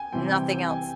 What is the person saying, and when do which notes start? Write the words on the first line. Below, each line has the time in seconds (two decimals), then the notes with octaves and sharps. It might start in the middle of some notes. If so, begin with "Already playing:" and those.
Nothing else.
Already playing: G5 G#5
0.12 C3 E3 G3 C4 G5
0.31 G5
0.51 G5
0.69 G#5